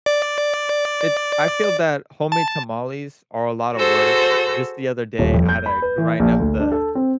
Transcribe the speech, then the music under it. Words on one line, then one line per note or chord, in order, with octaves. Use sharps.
it I feel that homemade tamales are a lotta work. Just the other day, I had to grind up the
D5
A5
F#4 G#4 A4 C5 E6
D#1
F2
G6
B5
B4
E3
A#1
D2
D4
A4
C4